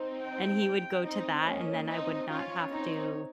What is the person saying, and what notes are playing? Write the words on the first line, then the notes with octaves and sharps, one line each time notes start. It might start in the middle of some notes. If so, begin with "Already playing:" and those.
and he would go to that, and then I would not have to,
Already playing: C4 D#4
G5
C4 D#4 D#5
A#3 C#4
C4 D#4 D#5
C#4 F4 C#5
C4 D#4